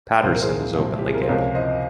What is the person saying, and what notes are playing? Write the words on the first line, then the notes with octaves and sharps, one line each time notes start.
Patterson is openly gay.
C2 A#2 F3 C5
A#4
G#4 C5
C2 A#2 F3
G4
G#4
A#4
C5
C#2 C3 F3 A#4 C#5
C5 D#5